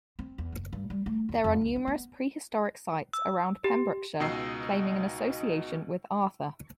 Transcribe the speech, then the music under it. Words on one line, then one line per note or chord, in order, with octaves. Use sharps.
There are numerous prehistoric sites around Pembrokeshire, claiming an association with Arthur.
C4
E2
F#1
G2
G3
A3
E2
F2
C#2
D4
B3
E6
G4
C#2 B2 D#4 D#5 E6 C7